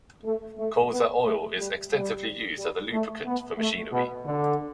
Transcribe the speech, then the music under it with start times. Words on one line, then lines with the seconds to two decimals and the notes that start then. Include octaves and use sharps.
Colza oil is extensively used as a lubricant for machinery.
0.24 A3
0.58 A3
0.91 B3
1.24 A3
1.57 G3
1.91 G3
2.58 G3
2.92 A3
3.24 B3
3.58 A3
3.91 B2
4.25 D3